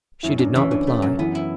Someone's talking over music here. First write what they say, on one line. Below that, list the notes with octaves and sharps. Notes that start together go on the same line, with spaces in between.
She did not reply.
F#2 E4
F#2 D4
E3 C#4
E3 D4
A3
C#4
F#2
E3 B3
E4